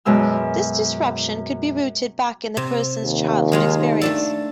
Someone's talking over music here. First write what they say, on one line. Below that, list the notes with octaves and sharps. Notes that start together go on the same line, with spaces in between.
This disruption could be rooted back in the person's childhood experience.
F#2 B2 G#3 E6 F6
C3
D#2
D#3 G#3 F4
A3 D4 A4